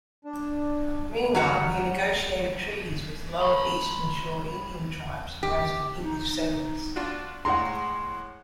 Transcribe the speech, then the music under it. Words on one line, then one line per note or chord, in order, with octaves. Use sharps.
Meanwhile, he negotiated treaties with Lower Eastern Shore Indian tribes harassing English settlers.
D4
F#3 G3 F#4 F#5 A#5
B5 C6
G4
D#4
D#4
D4 F4 F#4
A2 G#3 F#5 A#5 C6